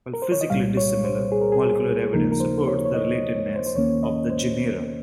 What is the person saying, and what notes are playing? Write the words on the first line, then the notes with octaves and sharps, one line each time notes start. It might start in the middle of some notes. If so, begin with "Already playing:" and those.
While physically dissimilar, molecular evidence supports the relatedness of the genera.
A#4
C5
C#5
D#5
C2 A#2 G3 F5
C#5
C5
G#4
A#4
G#4
D#2 C#3 F3 A#3 D#4 A#4
A#4
C5
C#5
C#5
D#5
D#5
C#5
C5
C5
D#2 D#3 A#3 C#4 C#5
D#5
C5